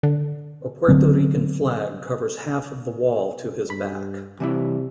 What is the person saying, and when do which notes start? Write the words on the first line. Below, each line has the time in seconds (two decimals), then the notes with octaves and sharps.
A Puerto Rican flag covers half of the wall to his back.
0.03 D3
0.88 D3 F#3 C4
3.70 G2 B5
4.40 C3 E3 G3 E4